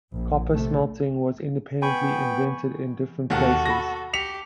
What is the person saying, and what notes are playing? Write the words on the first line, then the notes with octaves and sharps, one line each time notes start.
Copper smelting was independently invented in different places.
A#1
C3 A3
B3 G5 G#5 B5 C#6
D#2 B2 F#4 A4 F#5
B5 A#6
G4 B6 C#7 F7